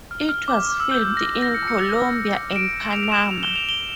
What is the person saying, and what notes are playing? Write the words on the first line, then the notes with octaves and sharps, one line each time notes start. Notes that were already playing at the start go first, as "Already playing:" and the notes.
It was filmed in Colombia and Panama.
F6
F6
D6
D6
E6
G6
G6
A#6
A#6
A#6
C#7
C#7
E7
D7
F7
F7
E7
F7
G7
F7
G7